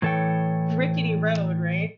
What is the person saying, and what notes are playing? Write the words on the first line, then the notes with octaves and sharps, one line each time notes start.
rickety road, right?
A2 E3 A4 C#5 G5